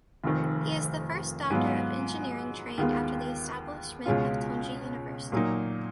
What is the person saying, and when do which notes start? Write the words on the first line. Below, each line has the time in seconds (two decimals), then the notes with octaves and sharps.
He is the first doctor of engineering trained after the establishment of Tongji University.
0.24 F1 F2 D#3
1.50 G#2 F#3 B3 F4
2.78 D#2 D#3 G#3 B3 F4
4.06 C#2 B2 G#3 C#4 F4
5.32 A#2 F#3 A#3 D#4